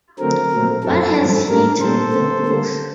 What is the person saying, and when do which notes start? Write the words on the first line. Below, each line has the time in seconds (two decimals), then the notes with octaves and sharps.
What has he to do with books?
0.19 D3 F#3 A3 C4 A#4
0.52 A#2 F#3 A3 C4
0.83 F#2 F#3 C4 A4
1.17 G2 F#3 C4
1.49 A2 G3 A#3 A#4
1.81 A#2 G3 C4 A4 C5
2.13 D3 A3 C4
2.46 D3 G3 A#3